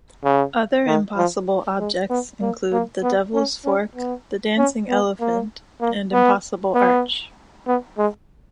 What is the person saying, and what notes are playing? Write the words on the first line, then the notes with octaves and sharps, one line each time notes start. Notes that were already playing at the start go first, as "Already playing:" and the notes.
Other impossible objects include the devil's fork, the dancing elephant, and impossible arch.
C#3
D#3
F3
G#3
B3
A#3
A#3
B3
C#4
C#4
B3
C#4
B3
A#3
A#3
B3
B3
B3
G#3